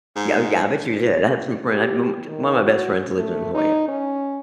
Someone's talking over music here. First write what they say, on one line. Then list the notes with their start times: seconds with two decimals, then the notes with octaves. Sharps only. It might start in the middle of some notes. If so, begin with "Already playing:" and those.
Oh, yeah. I bet you did. I have some friend m t one of my best friends lived in La Jolla,
0.16 G#2
1.71 G4
2.28 D#3
2.62 F#4
3.18 A3
3.54 D#4
3.88 C#4